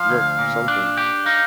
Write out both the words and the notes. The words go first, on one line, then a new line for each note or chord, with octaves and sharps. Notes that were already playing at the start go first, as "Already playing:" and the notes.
look something,
Already playing: F3 F5
D2
A#2
D4
G4
D#4 F5